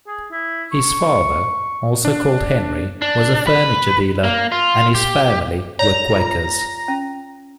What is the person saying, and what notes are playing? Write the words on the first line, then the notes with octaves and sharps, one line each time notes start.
His father, also called Henry, was a furniture dealer, and his family were Quakers.
G#4
E4
C#6
D4
D4
B4
A#3
F4
G4
C#5 D5 A#5
F4 B4
C#4